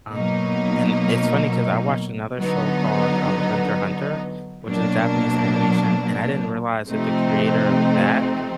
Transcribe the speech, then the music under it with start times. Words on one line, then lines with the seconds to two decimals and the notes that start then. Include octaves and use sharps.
um, and it's funny 'cause I watched another show called, um, Hunter Hunter, which is Japanese animation, and I didn't realize that the creator of that
0.13 B2 F#3 A#3 D#4
2.39 D3 F#3 B3 D#4
4.64 B2 F#3 A#3 D4
6.89 C3 F3 A3 C4 D#4